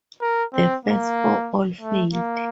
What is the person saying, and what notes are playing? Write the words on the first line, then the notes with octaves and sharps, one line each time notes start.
The first four all failed.
A#4
C4
A#3
A3
A#3